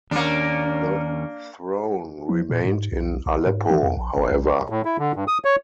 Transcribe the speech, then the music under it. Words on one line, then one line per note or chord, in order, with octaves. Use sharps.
The throne remained in Aleppo, however.
D#2 A#3 C#4 D4
F3
A#2
G#2
B1
B1
G#2
E3
E2
A#1
G1
B1
A2
E4
D3
G2
D#6
C#5